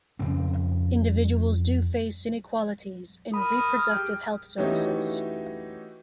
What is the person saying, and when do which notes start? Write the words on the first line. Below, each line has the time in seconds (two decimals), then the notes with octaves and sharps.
Individuals do face inequalities in reproductive health services.
0.19 F2 C#3 C4
3.34 A#4 B5 D#6
3.79 F6
3.92 G4 G#4 G5
4.58 E3 A3 C#4 D#4 F#4 G4